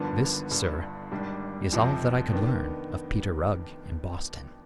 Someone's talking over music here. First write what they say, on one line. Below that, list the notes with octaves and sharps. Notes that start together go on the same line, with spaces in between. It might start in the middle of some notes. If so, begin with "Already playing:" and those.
This, sir, is all that I could learn of Peter Rugg in Boston....
Already playing: G#1 G2 D3 F3 B3
G1 G2 D3
G#1 G#2 G3 D4
F1 F2 C3 F3
D#3 B3 D4